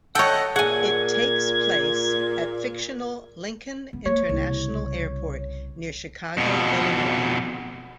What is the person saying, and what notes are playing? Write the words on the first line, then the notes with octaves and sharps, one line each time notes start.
It takes place at fictional Lincoln International Airport near Chicago, Illinois.
A4 C#5 D#5 F#5 G5 E6
A#2 G#4 F#5 G#5 G#6
B3
A#3 C#5
C2 C#3
F2 B2